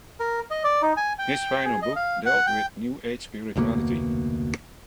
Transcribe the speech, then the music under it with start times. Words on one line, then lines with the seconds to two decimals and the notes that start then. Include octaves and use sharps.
His final book dealt with New Age spirituality.
0.20 A#4
0.51 D#5
0.64 D5
0.82 D#4
0.97 G#5
1.19 G5
1.65 G#4
1.82 D#5
1.96 F5
2.26 F#5
2.47 G5
3.56 F1 D2 B2 A#3